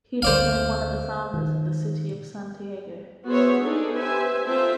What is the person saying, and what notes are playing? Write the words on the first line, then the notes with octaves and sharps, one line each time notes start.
He became one of the founders of the city of Santiago.
D2 C5 D5 F5
D#3
B3 F#4 G#4 C5 C#5 E5
B3 D4 D#4 G#4 A4
G4 B4 C5 E5 G#5
C4 F4 A4 C5 E5